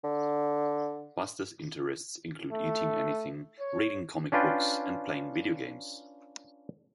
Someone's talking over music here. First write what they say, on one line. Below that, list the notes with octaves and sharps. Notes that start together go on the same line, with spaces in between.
Buster's interests include eating anything, reading comic books, and playing video games.
D3
A3
C#5
C#4 D4 F4 B4 G5